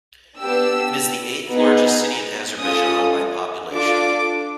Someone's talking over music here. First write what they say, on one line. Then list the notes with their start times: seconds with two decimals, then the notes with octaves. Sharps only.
It is the eighth largest city in Azerbaijan by population.
0.40 B3 D4 G4 E6
1.50 B3 D#4 G#4
2.60 C#4 F4 A4 D#6
3.71 D4 F4 A4 D6